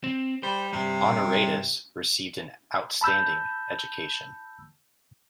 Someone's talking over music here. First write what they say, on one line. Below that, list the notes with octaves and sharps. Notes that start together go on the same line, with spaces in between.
Honoratus received an outstanding education.
C4
G3 C5
G2 C3 G3
A5 B5 E6 G6